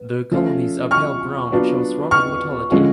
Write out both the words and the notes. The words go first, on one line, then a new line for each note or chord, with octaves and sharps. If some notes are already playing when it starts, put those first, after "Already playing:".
The colonies are pale brown and show swarming motility.
Already playing: B3
F3 A3 C#4 F4
C#6 F6
F#3 B3 D4 F4
C#6 F6
D3 F3 G#3 C#4 F4